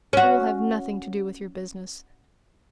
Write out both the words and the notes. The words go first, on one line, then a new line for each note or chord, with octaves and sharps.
I will have nothing to do with your business.
C#4 F#4